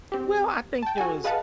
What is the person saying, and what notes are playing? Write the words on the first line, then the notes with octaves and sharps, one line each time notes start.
Well, I think it was
C4 G4
G5 A5
F#4 A4 G#5
G#4 B4 D#5 F5 F#5 A5